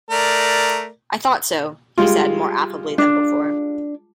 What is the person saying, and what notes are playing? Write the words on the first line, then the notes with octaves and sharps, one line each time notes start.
'I thought so,’ he said, more affably than before.
A3 A#4 D5
G3 G#3 F4
D4